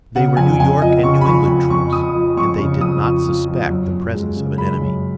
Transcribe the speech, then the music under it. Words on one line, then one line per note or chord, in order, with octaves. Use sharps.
They were New York and New England troops and they did not suspect the presence of an enemy.
C#3 F#5
F2 G#5
F2 G#5
F3 D#5
C#3 C#6
B5
F3 C#6
F2
F2 C#6
F2 D#6
F3
F2 C#6
C#3
F2 D#6
F3
F3
F3
F#2
F#2
G#3
C#3
G#3 B5
F#2